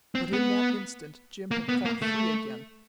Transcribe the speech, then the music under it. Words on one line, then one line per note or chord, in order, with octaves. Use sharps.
But in that instant Jim had fought free again.
C4
B3
A#3
B3
A#3
A3